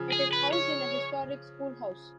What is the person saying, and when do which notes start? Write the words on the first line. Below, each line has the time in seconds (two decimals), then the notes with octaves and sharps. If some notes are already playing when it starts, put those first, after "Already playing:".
It is housed in a historic schoolhouse.
Already playing: C#3 F3
0.12 G#4
0.33 B4
0.53 C#5